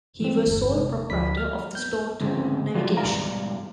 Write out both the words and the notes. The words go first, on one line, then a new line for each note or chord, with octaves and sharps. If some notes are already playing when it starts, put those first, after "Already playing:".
He was sole proprietor of the Stort Navigation.
E3 G3 C4
G1 E2
C3 G#3
D2 F3 F#4 D5 B5 B6
F6
B3 G6
D2 G#2 C#3 G#3 C4
F#2 F#3 G3 F4
B1 G#2 G3 F5 A#5